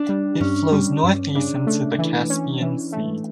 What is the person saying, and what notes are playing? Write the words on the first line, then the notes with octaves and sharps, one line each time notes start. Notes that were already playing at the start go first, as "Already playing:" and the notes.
It flows northeast into the Caspian Sea.
Already playing: D4
G3
G2 C#4
G3
G2
C#3 D4
A3
E3
C#4
E3
A3